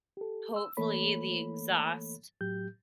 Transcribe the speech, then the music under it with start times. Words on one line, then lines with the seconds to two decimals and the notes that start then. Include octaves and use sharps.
hopefully, the exhaust
0.17 G4 A4
0.56 E6
0.77 E3 A3 A#3 A4 C#5 B5
2.41 A2 F#3 G4 G6